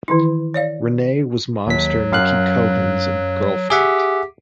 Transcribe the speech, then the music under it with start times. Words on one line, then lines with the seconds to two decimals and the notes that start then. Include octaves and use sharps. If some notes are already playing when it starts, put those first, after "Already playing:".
Renay was mobster Mickey Cohen's girlfriend.
0.08 D#3 E3 E4
0.54 C#5 D5 F5
1.67 D#2 F#3 B6
2.12 F#2 F5 F#6
3.70 G4 G#4 E5 F#5